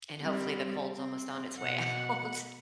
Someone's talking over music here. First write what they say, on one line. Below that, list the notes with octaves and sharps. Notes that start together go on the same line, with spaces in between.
And, hopefully, the cold's almost on its way out.
G3 C4
C4
B2 F#5